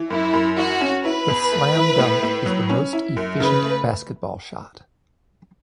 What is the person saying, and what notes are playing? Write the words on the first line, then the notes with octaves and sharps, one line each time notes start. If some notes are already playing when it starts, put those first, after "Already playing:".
The slam dunk is the most efficient basketball shot.
Already playing: E3
F#2 E4
F#2
E3 F#4
C#4
E4 B4
E2
A3
E4
A2
A2
F#3
C#4
E4
F#2
C#3 B4
A3